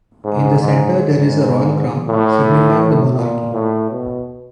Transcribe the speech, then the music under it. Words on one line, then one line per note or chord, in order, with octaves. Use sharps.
In the centre there is a Royal Crown, signifying the monarchy.
G#2
G#2
G#2
A2
A#2
A2
B2